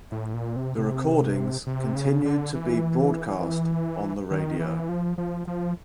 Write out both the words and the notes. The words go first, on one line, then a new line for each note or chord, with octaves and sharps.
The recordings continued to be broadcast on the radio.
A2
A#2
C3
C3
C3
C#3
D3
E3
D#3
E3
F3
F3
F3